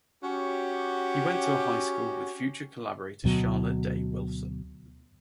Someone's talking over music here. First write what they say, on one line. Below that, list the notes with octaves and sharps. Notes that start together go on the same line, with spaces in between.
He went to high school with future collaborator Charlotte Day Wilson.
C#4 F#4 G4
D2 B2 F#3